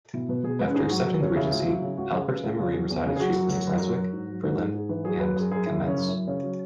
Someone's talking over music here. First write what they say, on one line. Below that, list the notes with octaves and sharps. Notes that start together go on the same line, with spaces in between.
After accepting the regency, Albert and Marie resided chiefly in Brunswick, Berlin, and Kamenz.
B2 E4
B2 B4
B2 G#4
G#3 B4
G#2 G#4
F#3 F#4
F#3
F#3 C#4
C#3 E4
C#2
F#3
C#3
C#2 F#4
C#3 G#4
C#3 B4
C#2 G#4
C#3 G#4
F#3
E2
C#3
G#4
F#3 F#4
F#2
F#3
F#2
F#3
F#3
G#2
F#3
G#2 B4
G#2 G#4
G#2 G#4
E3 B4
F#3 G#4
F#2 B4
F#2 G#4
F#2 G#4
F#2 E4
C#3
C#4
F#2
E4
F#2
C#3 C#4
F#3